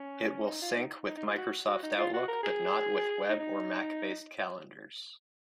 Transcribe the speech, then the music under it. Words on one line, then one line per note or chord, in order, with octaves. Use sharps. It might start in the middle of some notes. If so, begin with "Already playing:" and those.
It will sync with Microsoft Outlook, but not with Web or Mac based calendars.
Already playing: C#4
D#4
F4
D#4
D#4
D#4
F4
F#4
F#4
D#4
F4
F#4
A#4
G#4
D#4
D#4